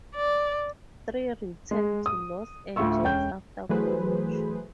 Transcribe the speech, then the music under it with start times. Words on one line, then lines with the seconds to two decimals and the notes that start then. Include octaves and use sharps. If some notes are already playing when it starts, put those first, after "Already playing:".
Tree returned to Los Angeles after college.
0.16 D5
1.71 G#3
2.06 D#6
2.76 D2 A2 F4 E5 C#6 E6
3.03 E1 C#4 G5 G6
3.69 E3 F#3 A3 G#4 B4 C5